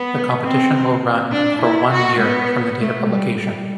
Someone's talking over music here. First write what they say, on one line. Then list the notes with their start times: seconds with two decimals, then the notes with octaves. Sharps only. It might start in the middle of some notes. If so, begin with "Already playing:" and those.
The competition will run for one year from the date of publication.
Already playing: B3
0.43 C4
1.32 D4
1.62 E4
1.91 F#4
2.20 B3
2.80 A3
3.09 G3
3.39 G3